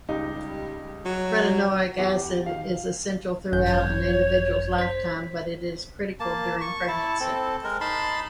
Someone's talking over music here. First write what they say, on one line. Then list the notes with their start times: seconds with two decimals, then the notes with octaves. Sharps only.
Retinoic acid is essential throughout an individual's lifetime, but it is critical during pregnancy.
0.09 C#2 G3 D#4 G4
1.05 F#3
1.44 F#4
1.98 E2 F#4 G4
2.46 D#3 F5
3.52 G#1 F#2 G6
3.66 C#5
4.78 C5 B6
6.20 A#3 A5
6.61 C#6
6.88 E4 A5
7.20 C4 A4
7.64 G#3 A#4
7.81 D#4 A5 B5 C6